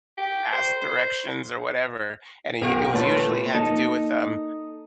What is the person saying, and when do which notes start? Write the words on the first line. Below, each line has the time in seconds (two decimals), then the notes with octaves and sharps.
a a ask directions or whatever, and i it was usually had to do with, um,
0.18 G4
0.52 C5
0.81 C5
2.61 B1 F4 G4 A#4
2.94 A#2 G#3 A3 E4 B4 C#5 A5
3.55 A#3 D#4 A4